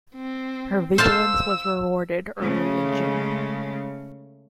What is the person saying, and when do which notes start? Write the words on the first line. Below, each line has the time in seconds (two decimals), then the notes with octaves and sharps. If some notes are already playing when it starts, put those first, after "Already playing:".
Her vigilance was rewarded early in June.
0.16 C4
0.98 C5 F5 A5 E6
2.39 C#3 G#3 A3